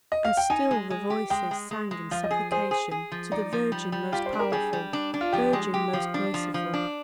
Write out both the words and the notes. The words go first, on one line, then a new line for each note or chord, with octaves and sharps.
And still the voices sang in supplication to the Virgin most powerful, Virgin most merciful.
D#5
F5
G5
D#4 G#5
G#3
G#3
G4
G#3 G5
G#3
G#3
G#3
F3 F5
D#5
G#4
G#4 C5
G#4
G#4
F3
D#4 D5
F3
G3
G3
F4 G4
C5
D4
A#4
G3 G#4
G3
D4
D4
F4
F3 G4
G#3
G4
F3
D4
F3
F3
D4